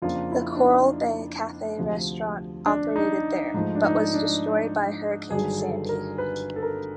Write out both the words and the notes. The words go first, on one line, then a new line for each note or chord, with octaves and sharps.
The Coral Bay Cafe restaurant operated there but was destroyed by Hurricane Sandy.
F2 C#3 F3 A#3 D4 F4
E4
D4
D#4
D2 C3 F3
D4
D#4
G#2 F3 A3 D#4
D4
D#4
D4
G1 G2 D#3 F#3 G#4
A4
A#4
B4
A4
A#4